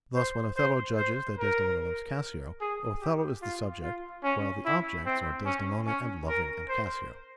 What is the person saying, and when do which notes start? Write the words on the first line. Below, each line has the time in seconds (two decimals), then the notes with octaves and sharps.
Thus, when Othello judges that Desdemona loves Cassio, Othello is the subject, while the objects are Desdemona and loving and Cassio.
0.15 C5
0.57 C5
0.97 C5
1.39 A#4
2.61 G#4
3.01 G4
3.42 F4
3.83 F4
4.24 C#4
4.65 E4
5.06 C4
5.46 C#4
5.87 C#4
6.28 A#4
6.69 C5